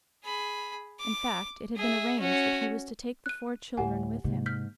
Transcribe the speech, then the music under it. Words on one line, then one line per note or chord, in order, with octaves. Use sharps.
In fact it had been arranged that he was to take the four children with him.
G#4 B5
D6
G#4 E5
C#4 F#4
F#6 D#7
D2 A2 G4 F#5 G#5
G#2 C3 A#3
F6 G6 B6